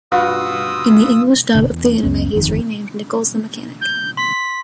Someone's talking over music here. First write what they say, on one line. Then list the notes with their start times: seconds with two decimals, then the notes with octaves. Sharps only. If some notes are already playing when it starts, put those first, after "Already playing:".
In the English dub of the anime, he is renamed Nickels the Mechanic.
0.12 G2 F4 F#4 B4 D#6 E6
1.55 F#1 B2 D3
1.71 E2
2.03 C#2 F#2 B3 C#4
2.33 G1 F2 D#3
3.81 G6
4.17 C6 B6